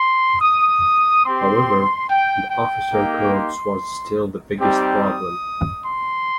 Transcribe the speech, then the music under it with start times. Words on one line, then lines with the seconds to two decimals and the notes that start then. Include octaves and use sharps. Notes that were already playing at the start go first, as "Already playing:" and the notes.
However, the officer corps was still the biggest problem.
Already playing: C6
0.42 D#6
1.25 C4 G4 C6
2.09 G5
2.50 G5
2.93 A#3 D#4 G4
3.35 C6
4.59 G3 C4 D#4 G4
5.02 D#6
5.85 C6